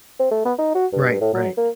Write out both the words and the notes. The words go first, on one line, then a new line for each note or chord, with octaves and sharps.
Right, right.
C4
A3
B3
D#4
F#4
G2
A2
F#3
A#3